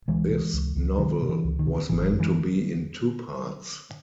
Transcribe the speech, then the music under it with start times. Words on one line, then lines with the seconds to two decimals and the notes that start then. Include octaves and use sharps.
This novel was meant to be in two parts.
0.08 C#2 E3 G#3
0.30 C3
0.53 C#2
0.76 C#2
0.98 C3 D#3 F#3
1.22 C3
1.29 E3
1.44 C#2
1.59 D#3
1.67 C3
1.89 G#1 E3
2.12 F#2
2.20 E3